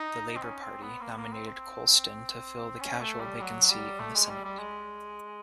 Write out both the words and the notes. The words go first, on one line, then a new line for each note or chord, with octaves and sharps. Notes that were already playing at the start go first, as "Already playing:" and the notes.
The Labor Party nominated Colston to fill the casual vacancy in the Senate.
Already playing: D#4
C4
C#4
C4
B3
A#3
B3
A#3
C4
C4
C#4
A3
G3
F#3
G3
A3
G#3
G3
G3
G#3